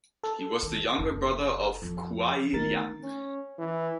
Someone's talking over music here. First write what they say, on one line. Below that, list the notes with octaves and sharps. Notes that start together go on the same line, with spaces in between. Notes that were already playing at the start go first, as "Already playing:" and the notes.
He was the younger brother of Kuai Liang.
A4
D#3
F#1 D4
F2 F3
D#3 A3 B3 A#4 A6
C#4
E3